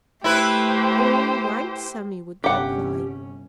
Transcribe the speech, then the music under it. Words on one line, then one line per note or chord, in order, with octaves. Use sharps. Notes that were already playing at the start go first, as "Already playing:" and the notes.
"All right," Sammy would reply.
A3 E4 G4 B4 C5
G1 C3 C#4 G4 F#5